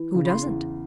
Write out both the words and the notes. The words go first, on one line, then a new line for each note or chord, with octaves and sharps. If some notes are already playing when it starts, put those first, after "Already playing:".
Who doesn't?
Already playing: E3
C#3
B5
C6
E2